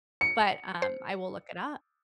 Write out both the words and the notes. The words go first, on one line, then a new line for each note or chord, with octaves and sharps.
But, um, I will look it up.
C#7
C5